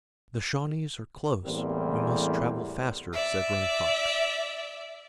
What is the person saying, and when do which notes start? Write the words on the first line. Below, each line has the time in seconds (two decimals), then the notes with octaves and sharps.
"The Shawnees are close, we must travel faster," said Running Fox.
1.44 E2 A2 G3 A#3 C4
3.13 D5 E5